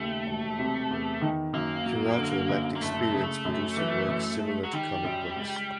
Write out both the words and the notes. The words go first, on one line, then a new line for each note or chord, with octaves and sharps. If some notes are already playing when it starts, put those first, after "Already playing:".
Curato lacked experience producing works similar to comic books.
Already playing: D#2 C#3 A3
E1
C3
E2
D#3
F#2 A#3
F#3
D3
F#2
A#3
F#1 A3
A3
C#3
A3
F#2
E3
F#2
G#3
F#3
D#3 G3
F#2
C#2